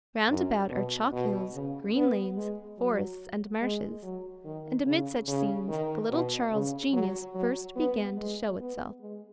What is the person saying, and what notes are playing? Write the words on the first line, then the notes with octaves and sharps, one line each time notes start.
Round about are chalk hills, green lanes, forests and marshes, and amid such scenes the little Charles's genius first began to show itself.
F#2
B2
B2
C#3
B3
G#3
F#3
G#3
F#3
D#3
C#3
C#3
D#3
B2
C#3
F#3
F#3
B3
G#3
B3
G#3